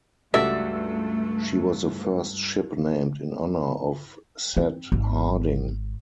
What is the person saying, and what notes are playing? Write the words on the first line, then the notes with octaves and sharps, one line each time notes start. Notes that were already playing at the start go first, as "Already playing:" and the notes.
She was the first ship named in honor of Seth Harding.
C#2 G2 A3 F#4 A4 D5 E5 A6
C4
G#1